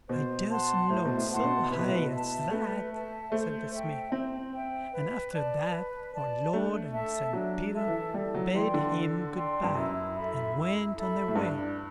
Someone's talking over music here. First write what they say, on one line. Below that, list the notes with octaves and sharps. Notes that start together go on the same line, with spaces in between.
'I durstn't look so high as that', said the Smith; and after that our Lord and St Peter bade him 'good-bye', and went on their way.
B2 C5
F#5 A5 C6
A2 C5
B2
A2
A2 F#5 A5 C6
B2
C3 B4
B2
A2
B2
E5 A5
A3 B4
E5 A5
A3 C5
E5 G5
C4 C5
E5 G5
B4
D5 A5
B4
D5 A5
A3 D4
A4 E5 A5
F#3 D4
A4 E5 A5
E3
G3 A4
F#3
E3 D5 G5 C6
D3
A4
D5 G5 C6
G2
F#2 E4
A4 E5 B5
E4
A4 E5 B5
A2
G2 D4